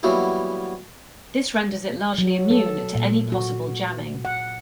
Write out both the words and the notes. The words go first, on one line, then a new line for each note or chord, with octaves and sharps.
This renders it largely immune to any possible jamming.
E3 F#3 G3 A#3 B3 E4
F#3
A4
A#2
F#4
F#5